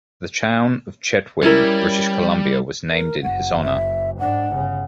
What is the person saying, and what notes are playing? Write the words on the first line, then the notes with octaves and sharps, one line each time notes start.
The town of Chetwynd, British Columbia was named in his honor.
G3 C#4 E4 A#4
A#4
F#1 F#5
E5
G#2 D4 F#5
G1 C#3